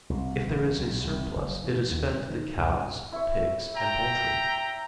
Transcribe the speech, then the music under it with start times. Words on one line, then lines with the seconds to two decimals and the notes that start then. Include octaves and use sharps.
If there is a surplus it is fed to the calves, pigs and poultry.
0.10 C2
0.47 A1
0.78 B1
1.04 C2
1.36 F#1
1.64 E3
1.91 D#2
2.11 G2
2.30 D#3
2.57 C2
3.12 E4 C#5
3.75 E5 G5 A#5